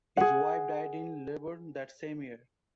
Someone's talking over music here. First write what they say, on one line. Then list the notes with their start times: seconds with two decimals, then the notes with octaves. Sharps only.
His wife died in labour that same year.
0.17 G#4 F#5